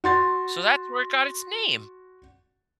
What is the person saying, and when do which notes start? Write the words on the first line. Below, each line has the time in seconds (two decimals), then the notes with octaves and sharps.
so that's where it got its name.
0.04 F#4 C6 A6